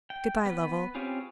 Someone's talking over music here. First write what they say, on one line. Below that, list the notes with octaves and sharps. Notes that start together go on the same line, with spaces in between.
Good-bye, Lovell.
G5
B3 B4
C4 C#4 F4 G4 G#4